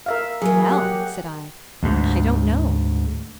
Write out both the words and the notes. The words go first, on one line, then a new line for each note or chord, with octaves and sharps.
"Well," said I, "I don't know."
A#4 E5 F5
F#3 A#3 G#4
G4 F#5
D2 G#2